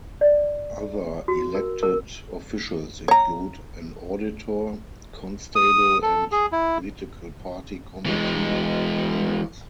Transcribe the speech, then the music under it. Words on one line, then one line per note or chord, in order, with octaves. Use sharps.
Other elected officials include an auditor, constable, and political party committee members.
D5
F#4
A#4
A#4
C#5 A#5
D#6
A4
G#4
E4
E3 G#3